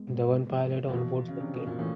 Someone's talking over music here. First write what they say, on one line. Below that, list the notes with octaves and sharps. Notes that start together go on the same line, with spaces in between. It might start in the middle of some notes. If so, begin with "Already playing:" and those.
The one pilot onboard was killed.
Already playing: G#3 B3
G#2
F3
A#2
B2 E3
C#3
C3 D4
B2
A#2
A2 E3